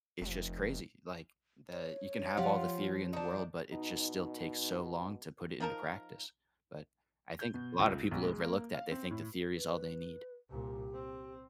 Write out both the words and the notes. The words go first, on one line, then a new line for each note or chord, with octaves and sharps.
it's just crazy. Like, that you can have all the theory in the world, but it just still takes so long to put it into practice, but I think a lotta people overlook that, they think the theory is all they need.
F1
C#5
F3 F4 G4 F5 F#5
D4 D#4
B2 D#4
F3 D#4 A#4 A5
G6
B2
C#2
B1
G#3
A#3
F5
C4
A2
B4
C2 A#2 G4
C4